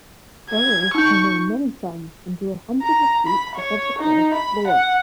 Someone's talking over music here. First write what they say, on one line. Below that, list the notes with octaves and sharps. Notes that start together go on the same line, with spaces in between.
Burls can weigh many tons and grow hundreds of feet above the forest floor.
G#6
D#4 C#6 G6
A#5
B5
C#5
D#4
B5
F#5